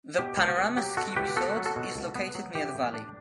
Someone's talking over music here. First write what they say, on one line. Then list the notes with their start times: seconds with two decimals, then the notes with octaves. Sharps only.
The Panorama Ski Resort is located near the valley.
0.18 B2 G4
0.37 C#2
0.48 F#4
0.58 B3
0.77 F#3 G4
0.97 B2 F#4 A4
1.16 C#2 G4 B4
1.36 B3 F#4 A4
1.57 F#3
1.66 F#4 A4
1.76 B2
1.95 C#2
2.15 B3
2.35 F#3
2.55 E3 G4
2.75 A2
2.94 D4